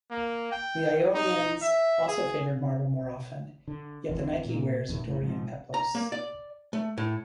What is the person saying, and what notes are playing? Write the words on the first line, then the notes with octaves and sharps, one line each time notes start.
The Ionians also favoured marble more often, yet the Nike wears a Dorian peplos.
A#3
G5
D#4
E5
G#4
D3
G1 E2 C3 E3
A#2 A#3
F1 E2 D#3
F1 A2
G#2 F3
A#5
A#3
D5
A3
A2